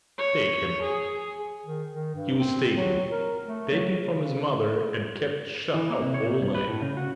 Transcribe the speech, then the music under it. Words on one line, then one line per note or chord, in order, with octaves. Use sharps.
'Take him.' He was taken--taken from his mother and kept shut up all night.
C#5
G#4
D#3
D#3
G2
C4
F#3
A#4
A3
F#3
C#3
E3
A#3
C3
C#5
A#2
G2
B4
A2
C#3
F#4